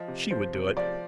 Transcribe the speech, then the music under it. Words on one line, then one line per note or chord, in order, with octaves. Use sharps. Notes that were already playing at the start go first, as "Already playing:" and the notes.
She would do it.
Already playing: F3 D#5
C3
F3 C5
C3
F3 D5